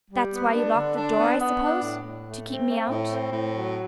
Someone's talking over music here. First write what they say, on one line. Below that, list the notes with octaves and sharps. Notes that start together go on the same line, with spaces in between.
"That's why you locked the door, I suppose--to keep me out."
G3
B3
D4
D3
D4
B3
B3
D4
A2
A2
A3
C4
A3
A2
C4
A2
F#3